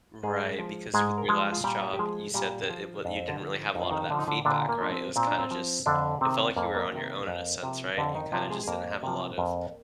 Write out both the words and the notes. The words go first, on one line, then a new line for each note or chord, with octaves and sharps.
Right, because you with your last job, you said that it wa you didn't really have a lotta that feedback, right? It was kinda just it felt like you were on your own in a sense, right? You kinda just didn't have a lot of
G#2 G#3 G#4
F3
G#2 G#3 G#4
A#4
F3 G#3 G#4
F4
A#2 G3 G4
G4
F3 G#3 G#4
A#2 G3 G4
G4
F3 F4
F2 D4
C4
D3 D4
D3 F3
F2 D#4
F4
D#3 D#4
D3 F3 D4
D#4
D3 D4
A#2 D3 D4
A#3
F3 D4
C4
A#2 C4
D4
C4
F3
F2 D3 D4
C3 D#3 C4
F2 A#3
A#3
C3 D#3
F2
C3 F3
F2 D3 D4
D#3 D#4
C3 F3 F4
G#3 G#4
G#4
F2 A#3 A#4
C3 F3
F2